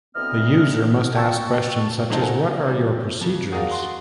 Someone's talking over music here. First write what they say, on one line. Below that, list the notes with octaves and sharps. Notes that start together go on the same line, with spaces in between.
The user must ask questions such as, What are your procedures?
D2 E3 B3 C4 D#5 F6
G5 A5 C#6 E6 A6
A#1 A#2 D#4 C5 A5
A4 A#4 F#5 G#5
E3 G3
F2
F#4 G#4 A#4 D5 F5
F#4 C6